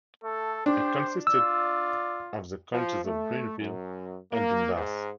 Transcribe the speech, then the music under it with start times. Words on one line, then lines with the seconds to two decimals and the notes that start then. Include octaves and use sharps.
It consisted of the counties of Grenville and Dundas.
0.24 A3 A4
0.66 D4 G4 C5
1.27 F4 D5 E6
2.72 F3
3.04 A3
3.57 F#2
4.32 A#3
4.74 G#2